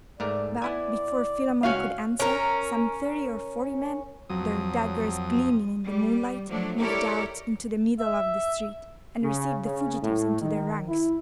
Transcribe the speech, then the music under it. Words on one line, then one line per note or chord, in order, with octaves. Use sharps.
But, before Philammon could answer, some thirty or forty men, their daggers gleaming in the moonlight, moved out into the middle of the street, and received the fugitives into their ranks.
G#2 A3 A#4 D5
B3 E4 D5 G#5
C#2 C#4 F#4 C#5 F5 G#5
C#4 A#4
F2 F#3 D#6
G3
F3 F#3 A3 D4
E4 G4 A4 A#4 C#5 D5
E5
C#3
C#3
A2
D#3
E4